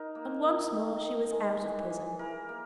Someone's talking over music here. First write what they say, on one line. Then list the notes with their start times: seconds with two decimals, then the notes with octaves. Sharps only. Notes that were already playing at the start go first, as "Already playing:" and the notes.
And once more she was out of prison.
Already playing: D#4 A#4
0.15 A#3
0.44 D#3
0.73 D#3
1.02 D#4
1.32 G#3
1.61 E3
1.91 E3
2.19 E4 A#4
2.49 A#3